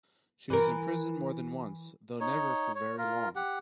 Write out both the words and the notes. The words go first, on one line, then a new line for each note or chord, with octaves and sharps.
She was imprisoned more than once, though never for very long.
E3 A#4
D#4 C#5
C#5
F4 A#4
G4 F#5